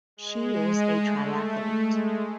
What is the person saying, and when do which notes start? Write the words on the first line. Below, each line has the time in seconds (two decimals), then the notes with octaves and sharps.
She is a triathlete.
0.17 G#3
0.99 A3
1.82 G#3